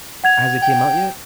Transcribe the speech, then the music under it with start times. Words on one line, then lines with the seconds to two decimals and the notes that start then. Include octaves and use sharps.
Has it came out yet?
0.24 F#5 G#6 F7
0.62 G5